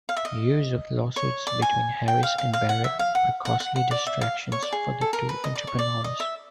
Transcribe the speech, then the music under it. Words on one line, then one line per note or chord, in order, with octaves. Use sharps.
Years of lawsuits between Harris and Barrett were costly distractions for the two entrepreneurs.
F5
E5
D#5
C#5
D5
G#5
G5
F5
F5
F5
F#5
E5
F5
F#5
F#5
F#5
F#5
D5
E5
F5
C#5
D5
G#4
A4
A#4
B4
D#5
D5
C#5
D5
D#5
E5